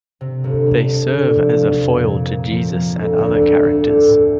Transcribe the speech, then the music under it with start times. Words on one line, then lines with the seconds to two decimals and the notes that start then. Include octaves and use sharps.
They serve as a foil to Jesus and to other characters.
0.21 C3
0.44 G1
0.67 G1
0.89 C3
1.12 D3
1.35 F3
1.58 F3
1.81 F2
2.03 A#2
2.26 A#2
2.50 F3
2.72 A#3
2.95 D2
3.18 D2
3.42 D2
3.64 D2
3.87 A2
4.10 A2